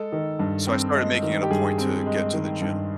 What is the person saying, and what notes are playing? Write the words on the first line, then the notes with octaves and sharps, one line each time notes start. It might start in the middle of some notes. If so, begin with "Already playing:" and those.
So I started making it a point to get to the gym.
Already playing: G#3 A4
D#3
G2
C4
G#3
D#3
G4
G2 G#4
C4
G#3
D#3
G2